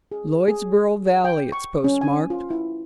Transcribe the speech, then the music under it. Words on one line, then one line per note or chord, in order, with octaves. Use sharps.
Lloydsboro Valley it's postmarked.
G#4
G#4
G5
C#6
C#4
G#5
F4
E4